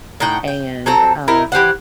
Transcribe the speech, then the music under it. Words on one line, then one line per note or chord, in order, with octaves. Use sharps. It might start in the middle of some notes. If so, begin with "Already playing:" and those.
and, um,
A2 D#4 F#5 G5
G5
F#3 C4 A4 A#5
D#4 E4 A#4
E3 G4 C5 F#5